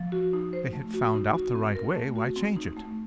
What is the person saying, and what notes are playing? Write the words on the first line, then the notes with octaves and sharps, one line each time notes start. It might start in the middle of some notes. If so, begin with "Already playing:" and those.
"If they had found out the right way, why change it?"
Already playing: F3
F#4
D#4
C5
A3
F#4
D#4
F#4
C4
A#4
A3
F#4
C4
D#4
A3